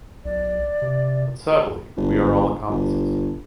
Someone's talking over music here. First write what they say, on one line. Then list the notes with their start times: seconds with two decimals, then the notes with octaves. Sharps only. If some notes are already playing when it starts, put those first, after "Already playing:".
But sadly we are all accomplices.
0.25 B1 D5
0.82 C3
1.97 G1
2.69 G1